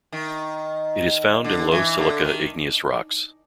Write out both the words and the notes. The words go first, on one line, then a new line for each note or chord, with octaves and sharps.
It is found in low silica igneous rocks.
D#3
D3
E3
D3
D#3